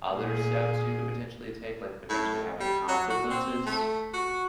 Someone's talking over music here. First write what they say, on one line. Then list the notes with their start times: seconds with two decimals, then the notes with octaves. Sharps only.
other steps you could potentially take, like potentially having consequences
0.13 A#2 G#4
2.10 A2
2.60 G3
2.88 F#3
3.10 F#4
3.30 C4
3.66 A3
4.14 F#4